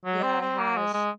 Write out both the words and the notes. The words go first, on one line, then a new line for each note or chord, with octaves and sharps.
Yeah, it has.
F#3
C4
C4
A#3
G#3
G#3